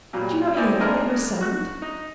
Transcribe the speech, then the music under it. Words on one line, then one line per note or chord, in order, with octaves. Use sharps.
"Did you not hear, then, that you were summoned?"
A#2 F#3 G3
C4 D#4 E4 C5 D5 G#5
G#3 A#3 B3 D4 A#4 D#5
F#4 F#6
D#4